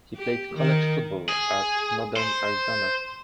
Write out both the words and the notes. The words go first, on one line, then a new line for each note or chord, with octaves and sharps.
He played college football at Northern Arizona.
G4
D#3
G#4
C5